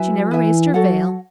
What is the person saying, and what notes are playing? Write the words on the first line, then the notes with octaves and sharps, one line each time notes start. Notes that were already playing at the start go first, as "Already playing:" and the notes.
She never raised her veil.
Already playing: F#3 E4 B4 E5 G#5
E3 E4 B4 E5 G#5
F#3 F#4 A4 C#5 F#5